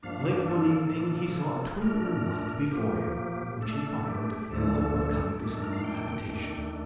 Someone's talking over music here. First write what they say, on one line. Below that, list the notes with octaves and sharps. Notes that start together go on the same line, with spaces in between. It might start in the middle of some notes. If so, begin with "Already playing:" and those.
Late one evening he saw a twinkling light before him, which he followed, in the hope of coming to some habitation.
G2 F3 A#3 D4 F5
G4
A4
A2 F3 A#3 D4
A#2 A3 D4 A#4
A#2 F3 A#3 G4
A2 A3 D4 A4
A4
A4
G4
D2 D3 F3 A3 D4 A4
F2 D#3 A3 D4 G4
A4
A#4
F5
G5
D#2 D#3 A3 D4